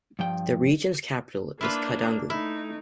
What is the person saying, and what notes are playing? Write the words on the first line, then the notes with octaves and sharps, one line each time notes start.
The region's capital is Koudougou.
G2 F3 G5
A#3 D4 E4 F4 B4
A3 D#4 E4